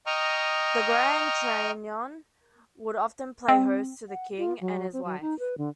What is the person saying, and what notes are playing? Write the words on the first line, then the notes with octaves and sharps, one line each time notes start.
The "Grand Trianon" would often play host to the King and his wife.
D#5 G5 A#5 C#6 D#6 F6
C4
F#5
F4
F#3
C4
F#3
D#4
B4
D3